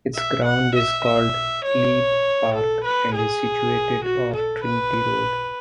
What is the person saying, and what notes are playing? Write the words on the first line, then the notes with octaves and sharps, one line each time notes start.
Its ground is called Glebe Park and is situated off Trinity Road.
E5
F#5
E5
E5
C#5
A4
B4
G#4
F#4
A4
B4